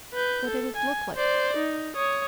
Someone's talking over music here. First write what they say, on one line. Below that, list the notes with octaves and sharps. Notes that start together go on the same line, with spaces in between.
"What did it look like?"
B4 G6
A4
G#5
C5 D5
D#4
C#5 D#6